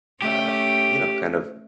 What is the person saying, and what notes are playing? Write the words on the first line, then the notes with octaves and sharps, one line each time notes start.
uh, you know, kind of,
A3 C#4 G4